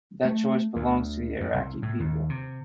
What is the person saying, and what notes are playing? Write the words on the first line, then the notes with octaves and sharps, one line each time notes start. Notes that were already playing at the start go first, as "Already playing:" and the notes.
That choice belongs to the Iraqi people.
A3
D2
F2
C2
A2
D#2
C3